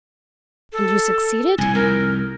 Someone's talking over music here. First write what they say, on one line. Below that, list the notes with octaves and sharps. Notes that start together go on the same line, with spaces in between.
"And you succeeded?"
A4
C2 A2 G#5
C2 F2 A#4